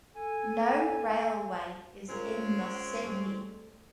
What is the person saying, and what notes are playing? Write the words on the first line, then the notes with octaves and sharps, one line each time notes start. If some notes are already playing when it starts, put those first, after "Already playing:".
No railway is in the city.
A4 G#5
G#3 C4 C#4 F4 A#4
G3 A3